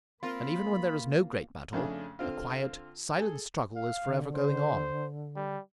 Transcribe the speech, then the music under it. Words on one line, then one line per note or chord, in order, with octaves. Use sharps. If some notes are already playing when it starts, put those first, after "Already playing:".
And even when there is no great battle, a quiet, silent struggle is forever going on.
A#3 C4 F4 A#4 B5
F2 C#3 A3 D4
D3 C4 F4
G#4 A4
F5
D3
C5
G3